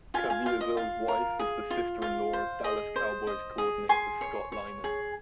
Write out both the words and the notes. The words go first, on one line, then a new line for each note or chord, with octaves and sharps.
Caviezel's wife is the sister-in-law of Dallas Cowboys coordinator Scott Linehan.
F4 F5 G#5
F5 G#5
F4 F5
D#5
F4 F5
A#4
G#4
F4
F4 F5
C5
G#4 D#5
C5
D#5
G#4
G#4 G#5 C6
C#5
C#5
G#4